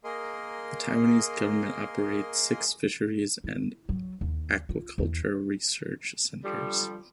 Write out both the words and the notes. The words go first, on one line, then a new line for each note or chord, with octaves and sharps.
The Taiwanese government operates six fisheries and aquaculture research centers.
A#3 G#4 A#4 D#5 C6
E4
F#3
D#2
F4
E2
D3 F3 G3